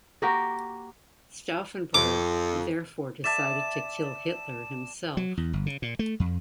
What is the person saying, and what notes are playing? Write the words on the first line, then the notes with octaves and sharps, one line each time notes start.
Stauffenberg therefore decided to kill Hitler himself.
A#3 F#4 G4 A#4
F2 D6
D5 E5 A5 E7
F#3
E2
G1
C#3
A#2
A3
F2